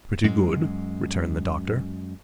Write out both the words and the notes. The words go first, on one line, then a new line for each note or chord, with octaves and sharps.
"Pretty good," returned the Doctor.
F#2 G#3